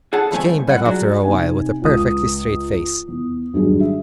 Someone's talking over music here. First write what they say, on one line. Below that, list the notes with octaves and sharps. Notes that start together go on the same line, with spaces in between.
She came back after a while, with a perfectly straight face.
G#4 A4 F#5 A5
C#2 G2 E3 A3 C4 G#5
B2 G3 D#5 F#5
F#3 D4 F#4 G#4
C3 D#4 G#5
C#2 D#6
E2
G#1 F#3 G3 D4 G#4
E5